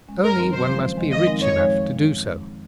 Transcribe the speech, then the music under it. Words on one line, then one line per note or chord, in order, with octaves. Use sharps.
Only, one must be rich enough to do so.
G#3 C#4
F#2 A#4
D#3 F#3 C4 D#4
C#3 C5
F3 G#3 C#4 F4
F2
C3 D#3 G#3
F3 D#5
G#3 C4 D#4 A#4
F#2 C#5
F3 G#3 D#4